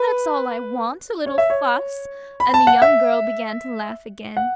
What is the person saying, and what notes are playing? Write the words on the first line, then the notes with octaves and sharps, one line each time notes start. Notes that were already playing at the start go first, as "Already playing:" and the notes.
"That's all I want--a little fuss!" And the young girl began to laugh again.
Already playing: B4
C#5
E5
C#5
B5
A5
F#5
E5
F#5